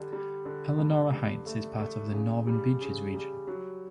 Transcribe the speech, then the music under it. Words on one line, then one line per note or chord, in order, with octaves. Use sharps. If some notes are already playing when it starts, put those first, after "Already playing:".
Elanora Heights is part of the Northern Beaches region.
Already playing: D3 G3
G3
D3
G2
G2
A3
A3
C#3
G3
C#3
G3
F#3